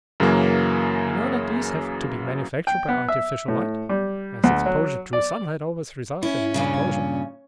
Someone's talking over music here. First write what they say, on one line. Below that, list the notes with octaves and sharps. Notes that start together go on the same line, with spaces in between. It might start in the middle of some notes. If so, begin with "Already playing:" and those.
You know that these have to be manufactured by artificial light, as exposure to sunlight always results in an explosion.
F#2 C#3 E3 F#3 A#3
G5
B3
E5
A2
G3
D2
F#3
D5
C#4 E4
G2 A#2 C#3